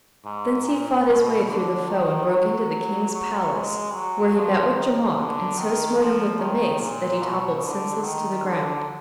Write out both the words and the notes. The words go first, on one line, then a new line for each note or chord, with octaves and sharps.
Thence he fought his way through the foe and broke into the King's palace, where he met with Jamak and so smote him with the mace, that he toppled senseless to the ground.
G#2
A#2
B2
D3
D#3
F#3
F#3
G#3
F#3
F3
D#3
D3
D#3
F3
D#3
A#2
B2
D3
D#3
D3